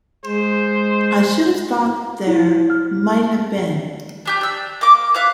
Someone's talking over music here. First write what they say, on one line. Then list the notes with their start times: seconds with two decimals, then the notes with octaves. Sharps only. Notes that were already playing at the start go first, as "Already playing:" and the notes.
I should have thought there might have been.
0.25 G#3 C5
2.27 E4
2.70 F6
4.26 D4 G4 G6
4.41 D4 E6
4.81 A#3 D6
5.14 E5 F5 D6 F#6